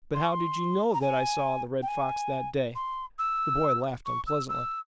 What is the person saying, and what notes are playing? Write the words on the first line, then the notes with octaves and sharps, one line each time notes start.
"But how did you know that I saw the Red Fox that day?" The boy laughed unpleasantly.
C6
C#6
C6
A#5
G#5
G5
G#5
C6
E6
C#6
E6
E6